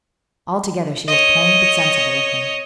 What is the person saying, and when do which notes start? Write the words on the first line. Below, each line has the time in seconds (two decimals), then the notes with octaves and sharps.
Altogether she was plain, but sensible-looking.
1.08 C#5 D#5